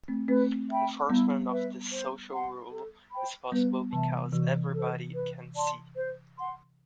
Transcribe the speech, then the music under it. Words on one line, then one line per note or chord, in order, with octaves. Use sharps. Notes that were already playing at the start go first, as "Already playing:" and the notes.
Enforcement of this social rule is possible because everybody can see.
A3 C4
A3 C4 B4
E5 G5 B5
G3 B3 E4
B4 E5
C5
F#5 C6
A4
C5 G5 B5
G3 B3 B4
C3 E3 E5 A5
C3 E3 F#4
A4 C5
B4
D5 A5 C6
C5
F#5 C6